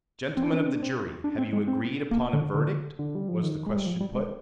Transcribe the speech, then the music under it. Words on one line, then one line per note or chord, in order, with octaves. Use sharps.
"Gentlemen of the jury, have you agreed upon a verdict?" was the question put.
C4
D4
C4
D4
C4
D4
C4
D4
C4
G#3
C4
A#3
D3
D3
D3
G3
F3
D#3
G#3
G3
F3
G3
G#3